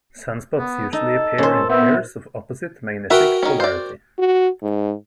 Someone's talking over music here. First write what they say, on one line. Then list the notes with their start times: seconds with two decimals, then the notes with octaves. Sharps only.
Sunspots usually appear in pairs of opposite magnetic polarity.
0.58 B3
0.93 D#4 A4
1.38 A#2 C#4 C5
1.69 B3 C4 E5
3.10 F#4 A#4 B4 E5 G5
3.43 D#3 C#4
3.60 C5 D5
4.19 F#4
4.62 G#2